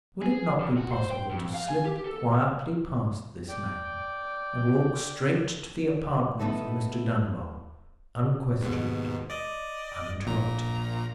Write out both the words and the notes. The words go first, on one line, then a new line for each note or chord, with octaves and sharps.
Would it not be possible to slip quietly past this man, and walk straight to the apartments of Mr. Dunbar, unquestioned, uninterrupted?
G#4
F2
F#4
C5
G5
F2
F5
G#5
G4
A4
D5 G5
A3 B3 D#4 E4 F#4 A4
D#2 G#2 B2
D5 D#5
A#1 A#2 A#5